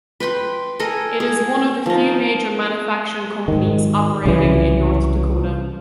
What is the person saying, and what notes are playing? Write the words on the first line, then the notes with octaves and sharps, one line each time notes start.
It is one of the few major manufacturing companies operating in North Dakota.
B4 G5 B5 C6
A4 A#4 D#5 G#5
G#4
F3 D#4
G#2 D#3
C2 C#3 E3